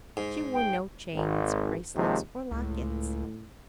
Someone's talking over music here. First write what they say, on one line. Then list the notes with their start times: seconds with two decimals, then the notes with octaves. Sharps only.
She wore no chains, bracelets or lockets.
0.17 G#2
0.54 G5
1.14 G#1
1.96 D#2 C3 F3 G#3
2.51 C#2 A2